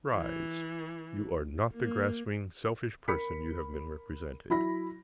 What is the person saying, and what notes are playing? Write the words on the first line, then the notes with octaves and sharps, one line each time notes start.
"Rise, You are not the grasping, selfish person you have been represented."
E3
A#3
A#4 B5 B6 C#7
F#3 E4 B5 A#6